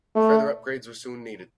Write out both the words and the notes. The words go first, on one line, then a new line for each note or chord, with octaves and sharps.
Further upgrades were soon needed.
A3